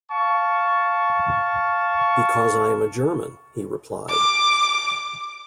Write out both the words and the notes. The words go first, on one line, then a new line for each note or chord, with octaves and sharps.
"Because I am a German", he replied.
F5 A5 C#6
D6